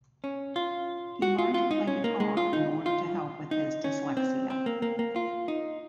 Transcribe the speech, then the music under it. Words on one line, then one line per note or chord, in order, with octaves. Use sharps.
He learned to play guitar in order to help with his dyslexia.
C#4
F4
F#4
F4
F4
D#4
C#4
A#3
G#3
F4
D#4
F4
D#4
C#4
C4
C4
A#3
A#3
A#3
F4
D#4